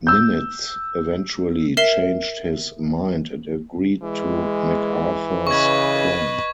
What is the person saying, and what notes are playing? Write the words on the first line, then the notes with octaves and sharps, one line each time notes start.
Nimitz eventually changed his mind and agreed to MacArthur's plan.
E6 G6
A#4 E5 C7 E7 G7
E3 G#3
C#3 B4 D#5 C#6 G#6